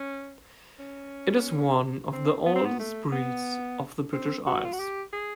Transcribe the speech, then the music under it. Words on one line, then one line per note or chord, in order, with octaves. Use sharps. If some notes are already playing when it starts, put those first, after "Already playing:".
It is one of the oldest breeds of the British Isles.
Already playing: C#4
C#4
C4
B3
C4
B3
A3
B3
C4
F#4
F4
F#4
G4
G#4